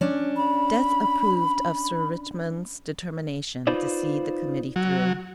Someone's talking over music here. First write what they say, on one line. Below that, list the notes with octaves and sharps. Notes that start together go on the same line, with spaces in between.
Death approved of Sir Richmond's determination to see the Committee through.
C#4 D4
B5
D#4 F4 B4 C5 D5
F#3